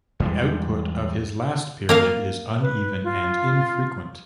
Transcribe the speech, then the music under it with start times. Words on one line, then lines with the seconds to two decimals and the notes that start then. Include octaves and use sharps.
The output of his last period is uneven and infrequent.
0.20 E2 G3 G#3
1.89 A#3 A#4 F5
2.61 B4
3.04 F4